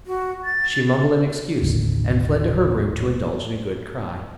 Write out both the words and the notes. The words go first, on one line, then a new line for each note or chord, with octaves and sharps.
She mumbled an excuse and fled to her room to indulge in a good cry.
F#4
A6
D#1 A1 D3